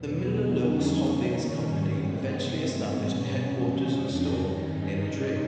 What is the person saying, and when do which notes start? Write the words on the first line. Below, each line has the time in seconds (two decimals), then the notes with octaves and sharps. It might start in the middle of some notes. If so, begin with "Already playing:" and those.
The Miller-Lux holdings company eventually established a headquarters and store near the tree.
Already playing: E2 B2 F#3 B3
0.36 F2 D3 G3 B3 C#4 D#4
0.85 D#2 C#3 F3 A#3 C#4 D#4
1.35 G2 D#3 G3 C#4
1.84 C3 E3 G#3 B3 C4
2.34 G2 E3 A3 C4
2.83 B2 G3 B3 C#4
3.33 E2 C#3 F3 G#3 C#4
3.82 F2 C#3 F3 C4 D4
4.32 G2 D#3 G3 C#4 D#4
4.81 C3 D#3 G#3